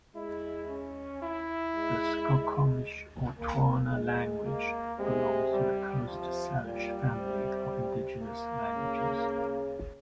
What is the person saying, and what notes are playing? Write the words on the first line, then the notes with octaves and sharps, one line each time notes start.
The Skokomish, or Twana language belongs to the Coast Salish family of indigenous languages.
G#3 E4
C#4
E4
G#3
A#3
G#3
A#3
C3 G#3
G3
C3 F3
A#2 G3
C3
A#3
C#3